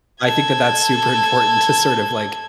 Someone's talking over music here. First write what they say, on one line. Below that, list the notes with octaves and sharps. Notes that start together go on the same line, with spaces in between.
I think that that's super important to sort of, like,
A4 G#6